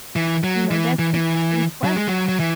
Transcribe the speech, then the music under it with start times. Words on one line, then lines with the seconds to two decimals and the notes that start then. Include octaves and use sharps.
You know, that's the big question.
0.16 E3
0.44 F#3
0.71 E3
0.99 E3
1.14 E3
1.84 F#3
1.96 G#3
2.08 F#3
2.29 F#3
2.40 E3